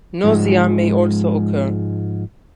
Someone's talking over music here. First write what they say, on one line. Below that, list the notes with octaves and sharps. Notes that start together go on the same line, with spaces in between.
Nausea may also occur.
G#2 F3 G#3